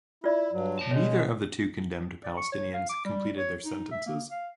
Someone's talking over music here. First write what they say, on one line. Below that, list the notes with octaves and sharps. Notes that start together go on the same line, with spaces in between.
Neither of the two condemned Palestinians completed their sentences.
E4 F4 D5
G2 F#3
C#5 A5
B2 G#3 C#5
D5
C#6
C#5
F5
D6
G3
C#5
D#4
E5
A#3
F5